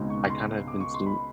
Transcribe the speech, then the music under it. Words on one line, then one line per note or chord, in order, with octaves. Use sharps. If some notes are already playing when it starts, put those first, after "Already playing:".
I kinda have been seeing
Already playing: C#2 B2 G#3 C4 D#4
C#6
C6
D6
C#6
C6
B5